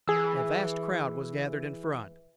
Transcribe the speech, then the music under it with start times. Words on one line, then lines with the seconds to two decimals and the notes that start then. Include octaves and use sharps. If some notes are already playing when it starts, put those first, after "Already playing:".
A vast crowd was gathered in front.
0.08 E3 G#4 E6